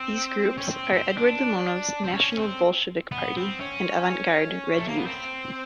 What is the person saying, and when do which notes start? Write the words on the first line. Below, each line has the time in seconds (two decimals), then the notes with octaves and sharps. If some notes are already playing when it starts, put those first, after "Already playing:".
These groups are Eduard Limonov's National Bolshevik Party and Avant Garde Red Youth.
Already playing: C4
0.58 C#4
0.68 C4
0.93 C4
1.18 D4
2.05 C4
2.15 C#4
2.39 C4
3.12 B3
3.37 C4
3.60 C#4
4.78 A3
4.88 A#3
4.97 B3
5.07 C4